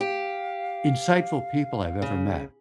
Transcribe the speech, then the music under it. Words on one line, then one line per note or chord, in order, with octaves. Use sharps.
insightful people I've ever met
G4 F5
C#3